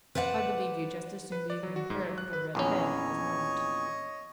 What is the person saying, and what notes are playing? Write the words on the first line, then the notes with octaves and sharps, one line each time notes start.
"I believe you'd just as soon be a green parrot with a red head as not."
B4 C5 D5 E5 F#5
B4
D5
F#3
F#4
G#2
F#3
F#6
B4
A#1 E2 C#4 C#5 D#5